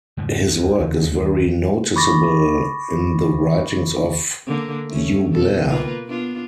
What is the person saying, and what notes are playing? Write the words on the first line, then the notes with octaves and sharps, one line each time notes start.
His work is very noticeable in the writings of Hugh Blair.
E2 G#2 C#3 F3
D2
D#2 D#3
B5 C#6 D6 A6 A#6
D3 A#3
A3 C#4
B2 F#3 A4
A#3 F4 B4
B3 D4 F4